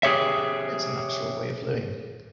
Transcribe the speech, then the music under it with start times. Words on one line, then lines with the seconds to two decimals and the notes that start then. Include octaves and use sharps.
It's a natural way of living.
0.03 G4 G#4 C#5 E5